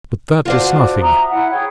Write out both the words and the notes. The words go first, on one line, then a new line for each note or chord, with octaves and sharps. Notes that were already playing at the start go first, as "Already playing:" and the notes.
But that is nothing.
D4 F4 F#4 C5
E5 A#5 D#6
E4 F#5
G#4 C#5 G5